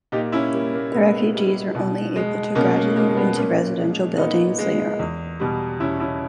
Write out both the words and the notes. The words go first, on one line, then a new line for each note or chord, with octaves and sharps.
The refugees were only able to gradually move into residential buildings later on.
A#2 D#4 G4
C#4 E4
G3 A#3
A#3
A#2 G#3 B3
G3
B2
G#3
B2 A#3 C#4
A#3
G#3 A#3
G#3 B3
A#2 A#3 C#4
G#3
A#2 B3 D#4
G#3
E2
B2 G3
E2 C#4 E4
C#4 E4